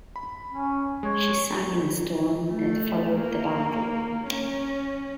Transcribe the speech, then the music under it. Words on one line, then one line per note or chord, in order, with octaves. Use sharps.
She sank in the storm that followed the battle.
B5
C#4
G#3 C#5
A3
A#3
C#4